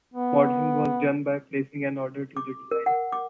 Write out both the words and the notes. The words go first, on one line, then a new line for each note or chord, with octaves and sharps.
Modelling was done by placing an order to the designer.
B3
D6
A#4
F#5
D6